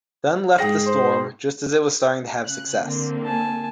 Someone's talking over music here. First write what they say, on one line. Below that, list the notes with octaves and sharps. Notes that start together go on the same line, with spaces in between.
Dunn left the Storm just as it was starting to have success.
G#2 G#4 G5 A#6
C5
C#3 F#6
D3 A#3 C4
G#5 A5